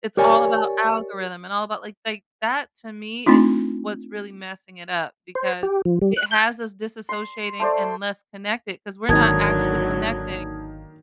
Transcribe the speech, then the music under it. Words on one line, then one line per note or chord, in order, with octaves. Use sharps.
It's all about algorithm and all about, like like, that to me is m what's really messing it up because it has us disassociating and less connected 'cause we're not actually connecting
G4 A#4 C#5 D5 G#5
A3 C4 D4 D#4 F4
C5
G4
F3
G3
F#6
G6
C6
A3 C5 D5
G#1 D3 D#3 F#3 A#3 A5 D#6 G#6